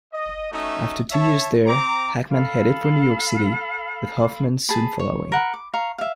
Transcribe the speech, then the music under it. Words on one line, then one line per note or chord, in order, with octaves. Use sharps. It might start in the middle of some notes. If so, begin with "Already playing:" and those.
After two years there, Hackman headed for New York City, with Hoffman soon following.
D#5
A3 C#4 D#4 F#4 D#5 E5
C#5 E5 A5
C4 A#5 D6
A4 F5 B5
G#4 A5 B5
C#5
A#4 F#5 B5
D6
F5 A#5 C#6
E5 F5